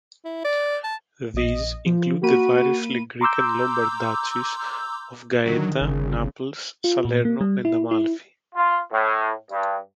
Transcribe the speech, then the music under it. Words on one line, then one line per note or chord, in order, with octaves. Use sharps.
These include the variously Greek and Lombard duchies of Gaeta, Naples, Salerno and Amalfi.
E4
D5
A5
A#1 D#5
F3
A#3 F#4 B5 D#7
A#5 C6 D6 E6 G6
D3 D#3 F#3
G1 C#3
F4
A#2
A#3
G3
E4
E4
F4
A2
G2